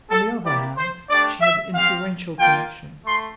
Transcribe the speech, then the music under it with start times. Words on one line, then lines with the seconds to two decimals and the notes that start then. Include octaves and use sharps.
On the other hand, she had influential connections.
0.10 A4
0.43 A#3 E4 G4 D5
0.76 C5
1.08 A3 D4 G4 D5
1.41 E5
1.74 C4 G4 F5
2.40 A#3 F4 G5
3.05 A3 C6